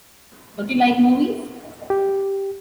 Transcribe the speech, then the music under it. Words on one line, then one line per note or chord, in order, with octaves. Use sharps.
Don't you like movies?
G4